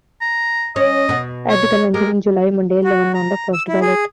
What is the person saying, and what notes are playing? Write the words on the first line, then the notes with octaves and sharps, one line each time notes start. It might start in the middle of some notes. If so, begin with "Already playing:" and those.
At the convention in July, Mondale won on the first ballot.
A#5
C#4 D#5
B2 B3
C#5
G#3 G4 A#4
F#4
A#5
E6
E4
G#4